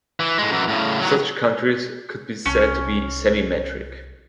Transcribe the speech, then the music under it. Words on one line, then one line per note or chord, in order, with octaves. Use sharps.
Such countries could be said to be "semi-metric".
E3
A2 G#3
F#2 E3
A2 C#3
D#3 F#3
C2 C#4